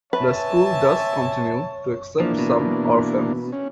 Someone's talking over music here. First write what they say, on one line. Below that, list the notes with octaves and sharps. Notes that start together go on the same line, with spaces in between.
The school does continue to accept some orphans.
C4 B4 C#5 E5 G#5 A5
E3 F3 A#3 D4
B2
C#4